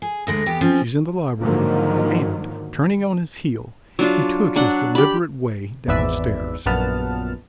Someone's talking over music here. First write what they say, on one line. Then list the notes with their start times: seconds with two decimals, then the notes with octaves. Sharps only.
"She's in the library." And, turning on his heel, he took his deliberate way down-stairs.
0.02 G#4
0.27 D2 D3 G#3 A#6
0.46 E2 B3 G4
0.61 F3 C4 C#4
1.42 G#2 D3 D#3 F3 F#3 A#3
3.99 F#3 D4 F4
4.56 F#3 D4 F#5
4.95 G4 B5
5.88 G#1 E2 G#2 B4 D5 E5
6.66 A#1 F#2 A#2 B3 A5 F6